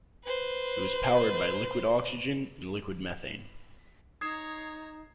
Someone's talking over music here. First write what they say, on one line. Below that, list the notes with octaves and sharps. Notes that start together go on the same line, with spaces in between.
It was powered by liquid oxygen and liquid methane.
B4 C5
D#4 C#5 A#5 D#6 G#6 C7 E7